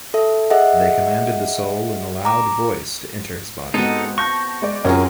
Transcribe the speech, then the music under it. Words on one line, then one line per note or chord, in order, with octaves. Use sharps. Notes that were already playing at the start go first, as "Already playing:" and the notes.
They commanded the soul in a loud voice to enter his body.
A4 E5
G#4 D#5 E5 F#5
A#5 D6
G#2 B3 C4 D#4 F#4 A4
A5 C#6 G6 A#6
G#3 D5
F#2 C4 C#4 F4 G#4 A#4